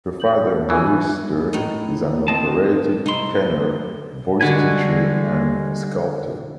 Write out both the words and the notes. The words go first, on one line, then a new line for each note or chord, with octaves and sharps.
Her father Maurice Stern is an operatic tenor, voice teacher and sculptor.
F#5 G6 F#7
B2 E3 D#4 F4 E5 G#5
A2 D#4
C4 D#5 A5
C2 D#4 E4 C6
D3 G3 G#3 F#4 G#5 B5